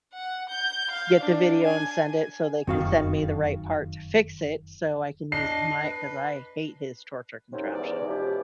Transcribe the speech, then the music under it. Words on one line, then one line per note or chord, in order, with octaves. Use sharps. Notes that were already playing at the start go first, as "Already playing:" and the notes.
get the video and send it, so they can send me the right part to fix it, so I can use my 'cause I hate his torture contraption.
F#5
G6
F5
D4
G#5
F1 F#2 D#3 C4 F#4 F5
D4 D#5 C7
B4
F#2 C3 F#3 C#4 D#4
E2 G#2 D5
B2 E3 F3 C#4 G4